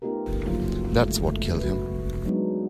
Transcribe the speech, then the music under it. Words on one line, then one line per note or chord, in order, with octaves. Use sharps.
That's what killed him.
A3 B3 D#4 F4 G4 A#4
D3 F3 F#3 A#3 F4
G#3 A3
A3
F#4 B4
F#3 G#3 B3 D4 D#4